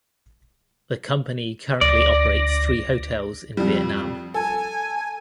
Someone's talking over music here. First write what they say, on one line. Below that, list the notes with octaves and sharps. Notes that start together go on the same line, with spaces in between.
The company currently operates three hotels in Vietnam.
D2 D5 A#6
F2 G3
A4 G#5